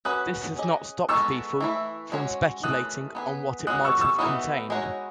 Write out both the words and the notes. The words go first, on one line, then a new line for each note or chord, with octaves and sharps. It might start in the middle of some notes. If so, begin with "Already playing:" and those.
This has not stopped people from speculating on what it might have contained.
C#4 F#4 B4 D#6 F#6
C#4 G#4 D#5
G#3 B3 D#4 A4 C#6 E6
E3 A3 E4
G#3 C#4 F#4 C#5
E3 A3 C#4 D#6 F#6
B3 D#4 G#4 B4
G#3 C#4 F#4 D#6 F#6
C#6 E6
C#6 E6
E3 G#3 B3 D#4 F#4 B5 D#6
G#3 D#4 F#4 C#5